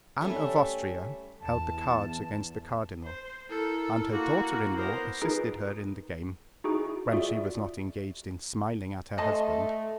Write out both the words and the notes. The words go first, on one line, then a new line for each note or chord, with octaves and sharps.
Anne of Austria held the cards against the cardinal, and her daughter-in-law assisted her in the game, when she was not engaged in smiling at her husband.
G3 A3 C#4 E5
E2 A5
C5
E4 A4 A#4
A#3 F#4
B3 A#4 C5
D#4 F4 G#4 A#4 B4
D#4 E4 F#4 G#4
F4 F#4 G#4 D5 E5
A3 D#5 A5 C6